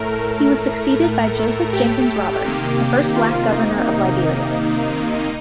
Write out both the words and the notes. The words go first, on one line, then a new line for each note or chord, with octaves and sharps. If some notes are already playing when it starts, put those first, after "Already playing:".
He was succeeded by Joseph Jenkins Roberts, the first black governor of Liberia.
Already playing: A2 A3 A#4
A#4
G4
C3 D#3 A#3
F4
D#4
D#4